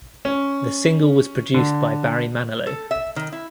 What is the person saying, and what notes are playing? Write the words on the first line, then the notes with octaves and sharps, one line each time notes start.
The single was produced by Barry Manilow.
C#4
D3
A4
E5
D#3
E4